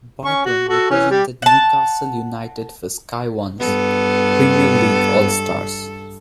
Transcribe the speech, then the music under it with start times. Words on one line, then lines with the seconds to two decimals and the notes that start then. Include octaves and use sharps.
Barton represented Newcastle United for Sky One's "Premier League All Stars".
0.25 C#4 C#6
0.45 F#4
0.69 F#4 A4
0.90 E3 C#4
1.11 G3 G4
1.42 F#5 A5
3.60 G2 B3 A4